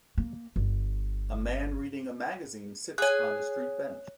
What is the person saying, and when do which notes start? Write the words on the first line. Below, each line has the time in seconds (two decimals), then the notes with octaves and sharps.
A man reading a magazine sits on a street bench.
0.18 A#3
0.56 G1
2.98 G#4 C#5 G#5 F#6